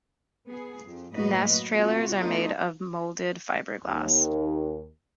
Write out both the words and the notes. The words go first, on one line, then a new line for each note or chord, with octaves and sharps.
Nest trailers are made of molded fiberglass.
B3 G#4
F2
F#2 A2 A#3 F#4 B4 D#5
C3 A#3 F4 F#4
A3 B3 D4 D#4 F4 A4
D#2